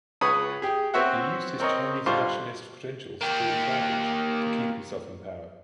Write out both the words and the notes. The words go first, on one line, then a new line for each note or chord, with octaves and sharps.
He used his Chinese nationalist credentials to his advantage to keep himself in power.
C#2 G#4 B4 C#5 G#5 D#6
G4 G#4
B3 C4 F#4 C#5 E5 F#5
C4 A#4 C#5 D#5
D3 G3 F4 C5 C#6 D6
A#3 G4